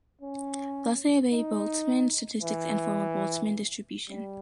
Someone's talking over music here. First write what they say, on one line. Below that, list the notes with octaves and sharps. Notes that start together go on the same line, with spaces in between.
Thus they obey Boltzmann statistics and form a Boltzmann distribution.
C#4
D#4
E3
G3